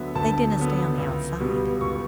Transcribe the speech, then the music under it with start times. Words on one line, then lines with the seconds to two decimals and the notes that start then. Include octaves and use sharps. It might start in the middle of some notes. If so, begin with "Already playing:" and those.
They dinna stay on the outside.
Already playing: D2 D3 F#3 B3 E5
0.15 D2 A5
0.57 D3 F#3 B3
0.98 C#2
1.40 B2 G3 B3
1.81 C#2 C#6